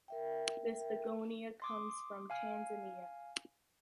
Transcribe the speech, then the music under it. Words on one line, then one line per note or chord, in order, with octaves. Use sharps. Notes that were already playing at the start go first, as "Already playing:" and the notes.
This Begonia comes from Tanzania.
A#4 E5 G5
C6 D6 D#6
F5 G#5 F6